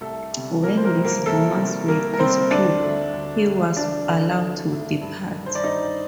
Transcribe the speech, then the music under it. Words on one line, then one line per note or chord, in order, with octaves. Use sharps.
When these rumors were disproved, he was allowed to depart.
C2 A3 A4
C3 G3
C2 A#3 A#4
C5
A#3 A#4
C3 G3
A#3 A#4
C2 A3 A4
C3 G3
C2 A#3 A#4
A#4
C3 G3 C4 C5
D2 D4 D5
D3 A3
D2
D3 A3
D2 D4 D5
D3 A3
D2
D3 A3
G2
D#3 G3
C5
D5
G2 D#4 D#5